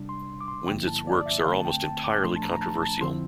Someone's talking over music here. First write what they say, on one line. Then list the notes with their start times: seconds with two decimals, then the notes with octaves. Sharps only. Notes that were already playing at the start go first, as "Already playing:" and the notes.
Winzet's works are almost entirely controversial.
Already playing: C3 G3 D4
0.09 C6
0.41 D6
0.48 C6
0.67 G2 D3 F3 A#3 E4 G5
0.87 A5
1.07 D5
1.21 D5
1.26 E5
1.45 E2 D3 A3 C4 F5
1.60 A5
1.65 G5
1.84 A5
2.04 D6
2.23 A#2 F3 A3 D4 C6
2.36 A5
2.43 A#5
2.53 A#5
2.62 A5
2.82 A5
3.01 F2 D3 F3 C4 E4 C6